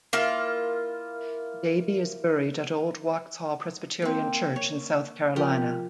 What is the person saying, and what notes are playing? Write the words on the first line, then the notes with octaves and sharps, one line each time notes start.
Davie is buried at Old Waxhaw Presbyterian Church in South Carolina.
A#3 E4 F4 F5
A#3 C4
C#5
F3 G4 A#4 D#5